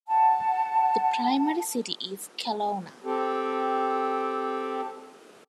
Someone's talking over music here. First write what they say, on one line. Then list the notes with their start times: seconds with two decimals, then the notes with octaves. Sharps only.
The primary city is Kelowna.
0.08 F#5 A5
3.04 C4 G4 A4